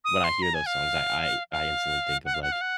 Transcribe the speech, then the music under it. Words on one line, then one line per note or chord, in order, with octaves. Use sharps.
when I hear those songs, I I I instantly think of like,
D#6
C6
A#5
G#5
F5
F5
F#5
F5
F#5
F5
F#5